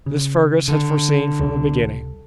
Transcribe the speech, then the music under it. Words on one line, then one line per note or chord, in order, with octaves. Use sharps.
This Fergus had foreseen from the beginning.
C#3
D3
C#2 C3 G3